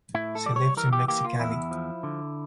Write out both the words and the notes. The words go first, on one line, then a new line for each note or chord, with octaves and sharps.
She lives in Mexicali.
A2 E4
A4
G3 D5
C#5
E3 A#4
G4
A#3 G4
F4
E2 E4
F3
D3